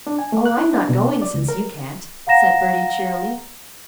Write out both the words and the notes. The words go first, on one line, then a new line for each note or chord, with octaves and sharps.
"Oh, I'm not going since you can't," said Bertie cheerily.
D4
G#5
A3
F#6
E4
D4
B2
D4
D5
C#2
A#4
F5 F#5 A#5 A#6 E7